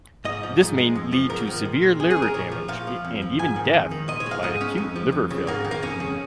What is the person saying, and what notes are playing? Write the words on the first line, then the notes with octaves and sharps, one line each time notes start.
This may lead to severe liver damage and even death by acute liver failure.
G#2 D#5
F3
G#2
G#3
F2
F3
G#2 A#4
D#3
A#2
G#3
F2 G#4
G#4
C#3
A#4
A#2 C#5
F3
A#2 F5
F3
F2
F3
G#2 G#5
D#3
F2
D#3
A#2 D#5
C#5
G#3
F5
G#2 D#5
G#3 C#4
F2
F3
F2
C#3
G#2 A#3
D#3
A#3
F2 C#4
C#3